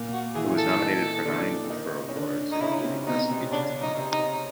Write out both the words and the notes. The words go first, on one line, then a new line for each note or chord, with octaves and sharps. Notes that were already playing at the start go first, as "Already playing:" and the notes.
It was nominated for nine Ophir Awards including Best Feature Film.
Already playing: A#2 A#3
F#4
E3 E4 G#4
A4
D#3 D#4
D3 D4
D#3 D#4
C#4
D3 D4
D#4
C#3 C#4 E4
C3 C4
B2 B3 D#4
C3 C4
C#3 C#4 D4
D#4
C3 C4
D#4